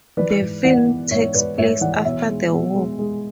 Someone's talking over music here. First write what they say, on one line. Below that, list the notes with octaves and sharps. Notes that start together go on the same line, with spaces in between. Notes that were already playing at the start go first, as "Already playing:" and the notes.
The film takes place after the war.
E3 B4 D5
G#2
E3 D5 F#5
B3
G#2 C#5 E5
G#2 B4 D5
G#2 C#5 E5
E3 D5 F#5
B2 C#5 E5
G#3
B2
G#3
G#3